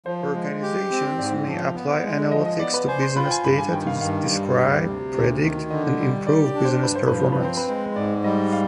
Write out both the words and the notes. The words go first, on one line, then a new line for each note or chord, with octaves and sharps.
Organizations may apply analytics to business data to describe, predict, and improve business performance.
F3 C5
G#3
G4
C4
G#2 D5
F3
B3
G#3
F3 D#5
D#5
B3 D5
B4
C5 G#5
C6
F4 B5
G5
G#5
G2 B5
G#5
D#3 G5
F5
G2 F5
G3
D2
C3
D2
D#3
D3 D#5
G3
G4 D5
D5
D4
C5
G2 B4
C5
F3 B4
C5
B4
C4 C5
B4
G#3
G#2 D5
G3 D#5
F5